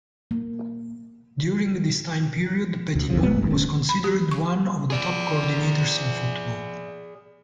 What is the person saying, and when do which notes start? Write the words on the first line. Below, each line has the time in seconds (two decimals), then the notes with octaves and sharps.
During this time period, Petitbon was considered one of the top coordinators in football.
0.31 A#3
2.95 D2
3.10 A#1 E2 C3 F3
3.23 F#1 A#2 B3
3.38 A#1 G2
3.50 D1 D2 C#4
3.89 B5
4.04 G4
4.31 C#6
4.90 G#4 D5